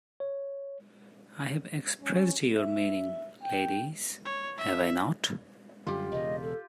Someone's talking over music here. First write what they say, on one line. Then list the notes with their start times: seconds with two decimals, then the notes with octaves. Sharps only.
I have expressed your meaning, ladies, have I not?
0.20 C#5
2.01 C#4
2.56 E5
3.43 G5
4.25 C#5
4.57 E5
5.87 F#2 D3 G3 F4 G4
6.12 E1 C#3 D#5
6.43 A4